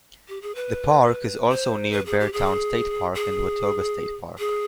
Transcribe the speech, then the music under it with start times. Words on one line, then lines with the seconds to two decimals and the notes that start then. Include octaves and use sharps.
The park is also near Beartown State Park and Watoga State Park.
0.28 G4
0.42 G#4
0.55 B4
1.52 C5
1.92 B4
2.06 G#4
2.20 G4
2.33 G#4
3.15 G#4
4.38 G#4